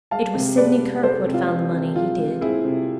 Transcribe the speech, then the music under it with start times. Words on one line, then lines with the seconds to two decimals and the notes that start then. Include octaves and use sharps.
It was Sidney Kirkwood found the money--he did!
0.11 G#3 F5 A5
0.35 C3
0.58 G#3 B4 D5
0.81 C3
1.03 G#3 A4 C5
1.26 C3
1.34 F4
1.49 C3
1.73 C3
1.95 G#3 F4
2.18 G#3
2.41 C4 E4 G#4
2.65 C3